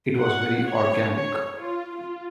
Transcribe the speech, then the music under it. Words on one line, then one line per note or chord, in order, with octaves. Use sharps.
It was very organic.
F#5
C#5
C#5
F4
F4